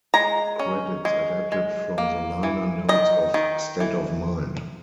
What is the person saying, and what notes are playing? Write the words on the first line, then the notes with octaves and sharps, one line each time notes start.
Credits adapted from the liner notes of "State of Mind".
G#3 A#5
C#4
G#3
G#3
A#3
E3
D#3 D#5
D#3
E3